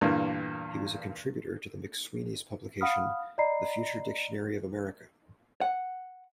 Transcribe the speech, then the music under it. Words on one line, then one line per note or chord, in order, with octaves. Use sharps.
He was a contributor to the McSweeney's publication "The Future Dictionary of America".
E2 G2 A#2 D3 E3 A#3
F5 F#5 B5 D#6 F6
D5 D#5 A#5 B5 C7
F#5